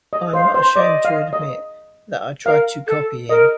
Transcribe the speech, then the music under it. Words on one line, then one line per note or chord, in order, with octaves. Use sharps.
I'm not ashamed to admit, that I tried to copy him.
D#5
C5 F5
C5
D5 D#5
F5
D#5
A#4 F5
A4
A#4 D#5